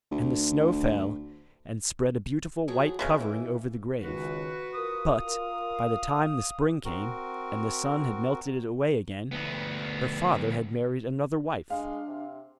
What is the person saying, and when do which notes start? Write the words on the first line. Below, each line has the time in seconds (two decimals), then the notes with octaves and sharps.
And the snow fell and spread a beautiful white covering over the grave; but by the time the spring came, and the sun had melted it away again, her father had married another wife.
0.12 D2
2.68 F3 F#3 G#4
2.99 A2 C#3 G#3 B3
3.20 E3
4.02 C#2 D#3 F#4 B4
4.74 F4 A#4 D#6
5.21 F5
6.85 C4 F#4 A#4
9.31 D2 B3
11.70 G#3 D4 F5
12.08 C3